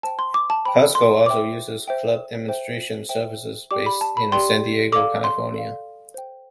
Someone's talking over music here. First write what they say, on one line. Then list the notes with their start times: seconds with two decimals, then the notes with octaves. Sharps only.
Costco also uses Club Demonstration Services, based in San Diego, California.
0.03 C5 G5 A5
0.19 C6
0.34 D6
0.50 A5
0.65 C5 G5 B5
0.95 C6
1.26 C5 E5 G5 D6
1.88 C5 E5 G5
2.49 C5 E5 G5
3.09 C5 E5 G5
3.71 G4 D5 G5 D6
3.86 B5
4.01 A5
4.17 B5
4.32 G4 D5 G5 C6
4.92 A4 D5 F5 D6
5.24 C6
5.54 A4 D5 F5
6.14 C5 G5